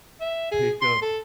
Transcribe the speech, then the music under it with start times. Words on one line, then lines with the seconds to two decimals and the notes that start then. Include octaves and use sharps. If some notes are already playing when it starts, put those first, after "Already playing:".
pick up
0.21 E5
0.51 G#4
0.82 C6
1.02 A4